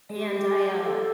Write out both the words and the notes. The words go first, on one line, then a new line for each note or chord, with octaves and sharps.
and I, uh
G4
A4